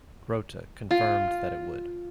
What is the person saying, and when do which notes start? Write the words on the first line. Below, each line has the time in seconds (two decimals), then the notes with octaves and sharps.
Grotte confirmed that it would.
0.91 F4